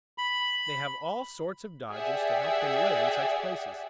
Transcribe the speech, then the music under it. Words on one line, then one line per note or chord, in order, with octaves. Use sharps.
They have all sorts of dodges to help them live in such places.
B5
G4 G#4 D5 E5 F#5 G#5